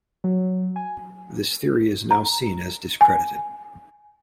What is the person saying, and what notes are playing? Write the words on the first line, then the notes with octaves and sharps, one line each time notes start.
This theory is now seen as discredited.
F#3
G#5
A#5
G#5